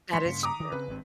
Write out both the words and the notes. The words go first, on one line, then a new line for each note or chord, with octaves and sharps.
That is true.
E3 F3 G#3 C6 B6 C#7
G2 C#3 A#3
A#5 D6 D#6
D#3
C#3 C4 B4
G#1 G2 C4